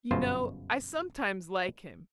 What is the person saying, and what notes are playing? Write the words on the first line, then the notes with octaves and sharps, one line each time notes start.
You know, I sometimes like him.
G1 F#2 B2 F4 C5